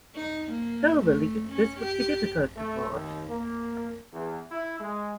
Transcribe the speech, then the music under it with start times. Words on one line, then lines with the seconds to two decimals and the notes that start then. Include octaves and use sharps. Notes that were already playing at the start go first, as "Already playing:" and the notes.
Hill believed this would be difficult to forge.
0.14 D#4
0.52 A#3
0.99 A3
1.48 C#4
1.80 G4
2.56 A3
2.91 D#2
3.28 A#3
4.12 E2
4.51 E4
4.80 G#3